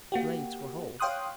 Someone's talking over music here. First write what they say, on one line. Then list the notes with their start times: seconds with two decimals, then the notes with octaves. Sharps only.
The blades were whole.
0.12 A#3 F#4 G4
1.00 C#5 F5 G5 C6 D#6 F#6